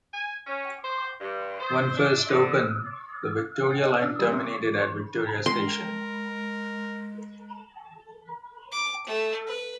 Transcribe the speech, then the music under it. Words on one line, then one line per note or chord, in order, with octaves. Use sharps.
When first opened, the Victoria line terminated at Victoria station.
G#5
C#4
C5
G2
C5
D4
D3
D#4
D4
G3
C3
G#3 A#4 C6
D6
A3
B4